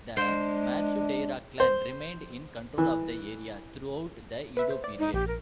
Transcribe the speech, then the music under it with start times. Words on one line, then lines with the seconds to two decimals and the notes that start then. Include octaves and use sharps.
The Matsudaira clan remained in control of the area throughout the Edo period.
0.17 G#3 D4 C5
1.60 C5
2.78 E3
4.57 B4 E5
4.70 C5
4.84 D5
4.99 D#4
5.14 A#1 G4
5.27 A#4